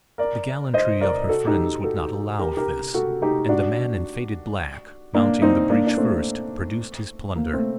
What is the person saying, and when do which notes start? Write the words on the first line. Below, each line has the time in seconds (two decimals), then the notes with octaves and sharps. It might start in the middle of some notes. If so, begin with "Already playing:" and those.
But the gallantry of her friends would not allow of this; and the man in faded black, mounting the breach first, produced his plunder.
0.18 A#4 D5
0.74 C5 D#5
1.01 A#4 D5
1.29 F#4 A4
1.47 D#4 G4
1.84 F#4 A4
2.39 G4 A#4
2.57 G4 A#4
2.94 F#4 A4
3.22 D#4 G4
3.49 D4 F#4
5.14 A#3 D4
5.42 C4 D#4
5.70 A#3 D4
5.87 D4
5.97 A3 C4
7.36 A#3
7.53 A3 C4